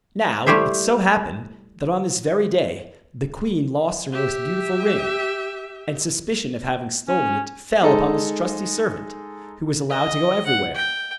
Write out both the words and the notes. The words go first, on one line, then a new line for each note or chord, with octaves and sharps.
Now it so happened that on this very day the queen lost her most beautiful ring, and suspicion of having stolen it fell upon this trusty servant, who was allowed to go everywhere.
G3 A3 E4 G4 C5 E5
G4 E5
C#4
G#3 D#4 A4
D#5
F#5
G5